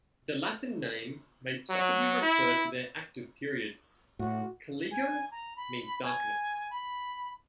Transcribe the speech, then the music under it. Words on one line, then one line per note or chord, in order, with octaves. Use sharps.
The Latin name may possibly refer to their active periods; "caligo" means darkness.
F#3
E4
A2 F#4
G#5
A#5
B5
G#5
B5